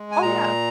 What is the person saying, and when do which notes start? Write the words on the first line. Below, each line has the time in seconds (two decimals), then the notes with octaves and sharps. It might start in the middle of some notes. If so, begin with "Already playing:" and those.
Oh, yeah.
Already playing: G#3
0.11 G#5
0.22 A#2 A#5